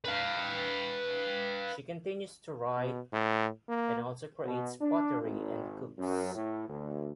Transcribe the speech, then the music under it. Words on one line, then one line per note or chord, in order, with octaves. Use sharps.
She continues to write, and also creates pottery and cooks.
B4 F5
B2
A2
A#3
B2
D4
G#1
F#2
A2
D2